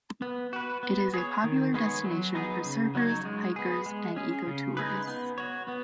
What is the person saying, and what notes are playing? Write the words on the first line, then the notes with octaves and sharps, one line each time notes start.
It is a popular destination for surfers, hikers and ecotourists.
B3
F#4 B4
B3
G#4 C#5
D#3
G#3 B3 G#4 C#5
F#3
B3 D#4 G#4
C#3
F#3 D#4 F#4 C#5
G#3
B3 G#4
G#3
C#4 G#4
C#3
G#3 D#4 G#4 B4
B3
F#4 C#5
B3